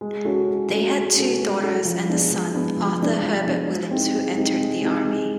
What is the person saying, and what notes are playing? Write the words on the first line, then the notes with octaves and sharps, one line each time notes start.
They had two daughters and a son, Arthur Herbert Williams, who entered the army.
G#3
C#4 F#4 A4
G#3
C#4 F#4 A4
G#3
C#4 F#4 A4
G#3
C#4 F#4 A4
F3
G#3 B3 D4
F3
G#3 B3 D4
F3
G#3 B3 D4
F3
G#3 B3 D4
G#3
C4 D#4 G4
G#3
C4 D#4 G4
G#3
C4 D#4 G4
G#3